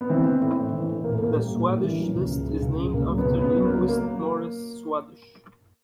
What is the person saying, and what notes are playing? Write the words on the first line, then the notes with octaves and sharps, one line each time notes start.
The Swadesh list is named after linguist Morris Swadesh.
B3
E3 C4
E3
A2
A2
E3
A2
A#1 A#3
A3
A#1 A#3
G3
A#1
A2
E3
F#3
C#2
C#2
C#3
C#2
C#2
C#2 A#3
F#3
B3
C#2
C#2 B3
F#3
A#3
F#3
A#3